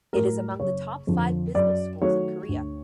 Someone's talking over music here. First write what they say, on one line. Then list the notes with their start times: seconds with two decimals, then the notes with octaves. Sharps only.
It is among the top five business schools in Korea.
0.13 A2 F#3 A3 A#4
0.60 F#1 C#5
1.07 F2 D3 F3
1.55 F#2 D5
2.01 D#3 F#3 A3 C#5
2.49 D2